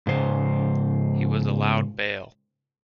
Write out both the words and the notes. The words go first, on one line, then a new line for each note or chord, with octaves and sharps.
He was allowed bail.
G#2 C#3 C5